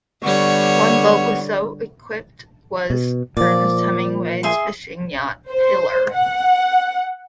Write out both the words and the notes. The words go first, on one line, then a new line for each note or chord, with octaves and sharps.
One boat so equipped was Ernest Hemingway's fishing yacht "Pilar".
D3 G3 B3 C#5 C#6
B2
A#2 F3 D5
G#4 E5 C6
C5
F#5